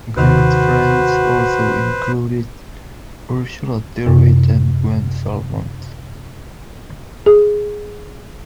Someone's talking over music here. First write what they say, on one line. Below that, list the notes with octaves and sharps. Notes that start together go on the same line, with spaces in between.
Good friends also included Ursula Tyrwhitt and Gwen Salmond.
D#2 C3 D#3 F#4 B4 C5
F#2 C3
G#4